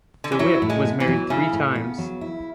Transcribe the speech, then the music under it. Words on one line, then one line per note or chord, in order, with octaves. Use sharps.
De Witt was married three times.
D3
E3
F#3 E4
A2
G#3
B3
E3
F#3
C#3 E4
A2
B3
F#3
E4